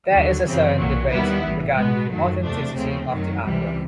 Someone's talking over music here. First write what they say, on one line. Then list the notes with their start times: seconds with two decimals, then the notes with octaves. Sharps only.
There is a certain debate regarding the authenticity of the artwork.
0.12 D#2 D3 F#3
0.45 F#2 C#3 E3 G3 C4
0.77 B1 A#2 F#3
1.11 D#2 D#3 G3 B3 E4
1.44 A1 G2 E3
1.77 B2 G#3 B3
2.10 F#2 D#3 F#3 A3
2.43 E2 C3 F3 A3 D4
2.76 D#2 C#3 F3 A3 C4
3.09 F#2 D#3 F#3
3.42 C#2 C3 E3 G3